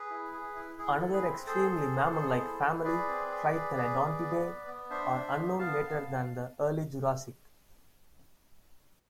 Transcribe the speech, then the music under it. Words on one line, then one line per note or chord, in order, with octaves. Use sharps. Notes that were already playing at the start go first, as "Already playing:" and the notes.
Another extremely mammal-like family, Tritheledontidae, are unknown later than the Early Jurassic.
Already playing: G#4 B4
E4
G#4
E4
E4 G#4
E4 A4
G#4 B4
C4
G#4 A4 C5
G#4
B3
G#4
E4
E4
G#4 B4 D5
C4
G#4
G#4
G#4
G#4
B3
B3
B3
D4 C5 E5
D4
B3
B3 F5 A5
B3